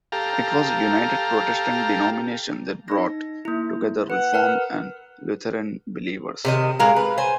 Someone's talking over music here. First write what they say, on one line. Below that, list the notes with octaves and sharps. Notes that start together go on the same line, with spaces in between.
It was a United Protestant denomination that brought together Reformed and Lutheran believers.
G4 A4 F5 A#5
D#4 A#6
A#3 E4
B4 F#5
A#4 B4 F6
C3 D#3 D#5
A2 G#3 A#4 F5
B4
C5 G#5